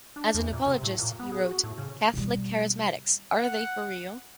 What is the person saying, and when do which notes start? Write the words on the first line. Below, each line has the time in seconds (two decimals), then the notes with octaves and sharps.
As an apologist he wrote Catholic Charismatics: Are They for Real?
0.16 D4
0.34 E2
0.53 A#2
0.66 C3
0.83 A2
0.99 A#2
1.19 B3
1.32 G#4
1.46 F#4
1.64 A2
1.78 C#3
2.14 B2 G3
3.39 F#5